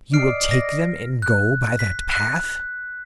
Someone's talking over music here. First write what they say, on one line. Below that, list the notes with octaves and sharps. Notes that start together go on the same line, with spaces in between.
"You will take them and go by that path?"
D5 D#5 F6 C7 D7
A#6
F#6
B6
F#6